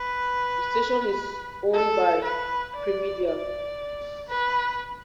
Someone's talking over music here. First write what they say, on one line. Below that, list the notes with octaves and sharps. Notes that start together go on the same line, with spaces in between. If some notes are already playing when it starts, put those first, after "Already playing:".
The station is owned by Primedia.
Already playing: B4
A4
B4
D5
D5
B4